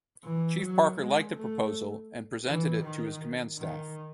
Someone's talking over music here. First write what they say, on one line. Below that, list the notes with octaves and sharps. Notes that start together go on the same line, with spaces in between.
Chief Parker liked the proposal and presented it to his command staff.
E3
F#3
G#3
A3
E3
D#3
D#3